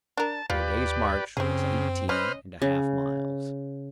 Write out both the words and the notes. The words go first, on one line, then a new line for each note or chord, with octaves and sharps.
Our day's march was eighteen and a half miles.
D4 A#4 A5
D#2 F4 G4 B4 D5
F#2 C#3 C4 G4 G#4
C#4 B4 C5 D#5 F6
C#3